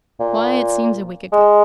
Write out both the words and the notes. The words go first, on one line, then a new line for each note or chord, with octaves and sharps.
Why it seems a week ago.
A#2
G#3